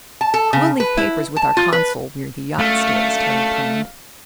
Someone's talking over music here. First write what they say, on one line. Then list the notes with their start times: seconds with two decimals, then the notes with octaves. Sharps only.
"We'll leave papers with our consul where the yacht stays," Terry planned.
0.21 A5
0.34 A4
0.53 C#3
0.80 B4
0.97 E4
1.37 A5
1.57 F4
1.73 B4
2.59 F#2 D3 A3 F5